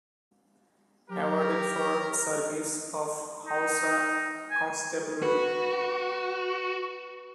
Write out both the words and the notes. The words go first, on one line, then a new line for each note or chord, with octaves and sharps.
Awarded for service of Hausa Constabulary.
F#3 G4 A#4
D#4
G#5
F#4 B4